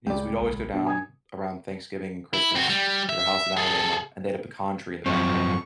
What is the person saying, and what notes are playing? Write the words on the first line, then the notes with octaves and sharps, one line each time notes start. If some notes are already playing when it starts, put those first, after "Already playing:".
is we'd always go down around Thanksgiving and Christmas to their house in Alabama, and they had a pecan tree in the backyard.
C#2 D5 G5
A#1
B2 D4
G#5 D#6 G#6
E4
C4 F#4
G3
E5
G#4 A4
F#2 F3 C4 C#6